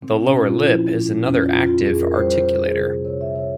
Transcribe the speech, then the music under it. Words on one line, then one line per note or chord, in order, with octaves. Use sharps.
The lower lip is another active articulator.
A#2 C4
C#4
A#2
F4
F3 E4
A#2
F2 C#4
F4
F2
F4
F2 G#4
A#4
G3 C5
C5
G3 C5
G#4
C3
C3 C#5
E5
C3 C#5